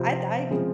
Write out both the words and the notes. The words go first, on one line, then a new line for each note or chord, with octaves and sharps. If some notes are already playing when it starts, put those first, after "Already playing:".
I I
Already playing: C3 F3 C4 F4
C#3 F3 G#3 C4